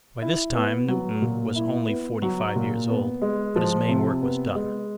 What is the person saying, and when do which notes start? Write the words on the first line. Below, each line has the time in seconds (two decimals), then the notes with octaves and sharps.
By this time Newton was only forty-five years old, but his main work was done.
0.22 E4
0.55 B3
0.88 F#3
1.22 A#2
1.56 E4
1.88 B3
2.22 F#3
2.56 A#2
2.89 B3
3.21 G#3
3.56 F3
3.88 C3
4.22 B3
4.55 G#3